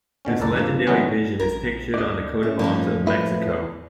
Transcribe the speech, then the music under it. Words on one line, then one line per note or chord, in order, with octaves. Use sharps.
This legendary vision is pictured on the Coat of Arms of Mexico.
B2 D3 C#4
C#2 F#2 A4 A#4 D5
G2 F3 A#3
D3 E3 F#3 G#3 B3 C#4
A#1 A#4
D2 D5 D#5
A3 C#4
A2 F3 A#3 C#4 D#4
E4 B4